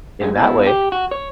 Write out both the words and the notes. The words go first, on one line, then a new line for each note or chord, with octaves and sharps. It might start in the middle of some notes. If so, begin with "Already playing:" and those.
in that way.
D2 G2 G#3
B2 E4
G4
F#4
C#5